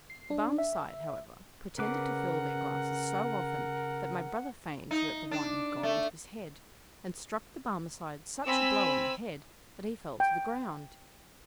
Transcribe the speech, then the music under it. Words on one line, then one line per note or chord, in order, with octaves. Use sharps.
The Barmecide, however, pretended to fill their glasses so often, that my brother feigned that the wine had gone into his head, and struck the Barmecide such a blow on the head, that he fell to the ground.
C7
D4
E5
C#3 A#4 B4 F#5 D6
D#4
D4
A3
C4 G#5 B5 E6
G5